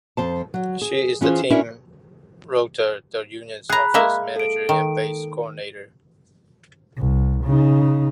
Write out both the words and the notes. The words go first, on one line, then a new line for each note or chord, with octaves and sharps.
She is the team rotor, the unit's office manager and base coordinator.
F2 C5 A5
F#3
G#4
E3 C#4 F4 G#4 C5
C#4 D4 E4 A#4
G#4 A#5 B5 F#6
G#3 A#3 E5
A4 D7
D#3
C2
C#3 D#4